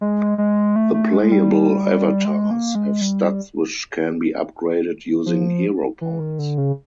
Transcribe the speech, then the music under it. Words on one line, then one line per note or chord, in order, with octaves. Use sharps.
The playable avatars have stats which can be upgraded using "hero points".
G#3
G#3
A3
A3
G#3
G3
G#3
A#3
G#3
G3
F3
E3
D#3
D3
C#3